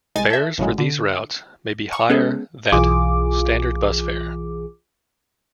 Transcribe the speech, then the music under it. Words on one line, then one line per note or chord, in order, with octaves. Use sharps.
Fares for these routes may be higher that standard bus fare.
C2 G#3 D#4 G#5 A6
A4 E5
G#1 A2 C#3 F#3 G#3
D3
C#6
G#3 B3 C#4 G#4 A4
B1 E3 F4 G#4 D6